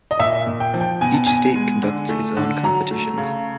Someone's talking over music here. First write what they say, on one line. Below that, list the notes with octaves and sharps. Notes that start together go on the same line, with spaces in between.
Each State conducts its own competitions.
D#5
A#2 E5
A#2
G5
F3
G5
B2 G#5
A5
B2 G#5
G#3
D3
A3
D3
F#3 A#5
A3
C#3